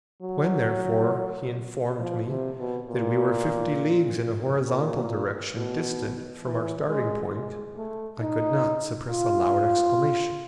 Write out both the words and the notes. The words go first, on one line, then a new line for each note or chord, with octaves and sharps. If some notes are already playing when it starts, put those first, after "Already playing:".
When, therefore, he informed me that we were fifty leagues in a horizontal direction distant from our starting point, I could not suppress a loud exclamation.
F#3
F3
C3
B2
A#2
A#2
B2
E3
G#3
G#3
A3
D#4
F4